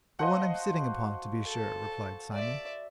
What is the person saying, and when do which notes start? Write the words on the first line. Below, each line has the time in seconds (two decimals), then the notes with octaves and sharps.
'The one I'm sitting upon, to be sure,' replied Simon.
0.19 F#4 C5 D#5 F5 F#5 A5
1.44 A4
2.33 D5 E5